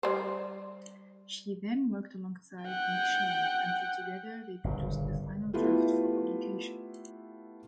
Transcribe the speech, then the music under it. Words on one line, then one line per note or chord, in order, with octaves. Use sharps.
She then worked alongside McShane until together they produced the final draft for publication.
G3 C5
F#5 G5
G1 A#2 C#3
A3 B3 E4 F4 G4